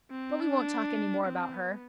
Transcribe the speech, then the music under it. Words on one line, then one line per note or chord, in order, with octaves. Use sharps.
But we won't talk any more about her.
C4
D4
C4
B3